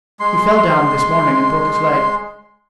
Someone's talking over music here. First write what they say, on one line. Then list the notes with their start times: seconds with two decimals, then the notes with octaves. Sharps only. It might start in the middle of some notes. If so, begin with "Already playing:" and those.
He fell down this morning and broke his leg.
0.20 G#3 C6